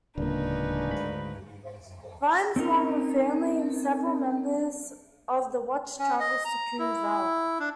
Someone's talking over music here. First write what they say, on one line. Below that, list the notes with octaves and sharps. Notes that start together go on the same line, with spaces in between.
Vimes, along with family and several members of the Watch, travels to Koom Valley.
D1 C#2 C#3 A#3 D4 D#4 B4
D2 G#2 B5
C4 C#4 D#4 A#4
C#4
D#5
A#5
E4
D4